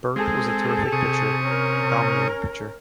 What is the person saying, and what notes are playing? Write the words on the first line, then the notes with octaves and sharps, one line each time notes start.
Bert was a terrific pitcher - a dominating pitcher.
G#3 C4 G#4 A4
C3 C#6 D#6
C#4 A#4